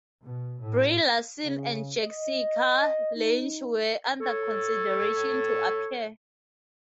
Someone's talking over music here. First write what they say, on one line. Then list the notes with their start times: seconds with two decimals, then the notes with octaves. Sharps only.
Brie Larson and Jessica Lange were under consideration to appear.
0.24 B2
0.61 A2
1.45 C#3
2.03 D#5
3.16 D#4
4.20 A4 C#5